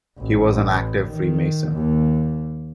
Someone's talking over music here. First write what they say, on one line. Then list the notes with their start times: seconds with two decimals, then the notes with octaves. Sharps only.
He was an active Freemason.
0.18 A1
1.08 D#3
1.72 D#2